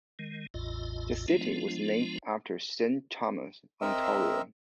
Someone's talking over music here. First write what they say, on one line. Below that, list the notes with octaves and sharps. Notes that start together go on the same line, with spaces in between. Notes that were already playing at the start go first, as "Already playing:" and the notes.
The city was named after Saint Thomas, Ontario.
D#3 G#3
A1 E2 A2 F4 D#5
F3 G#3 B3 D4 F4
C4 A#4 D#5 E5 E6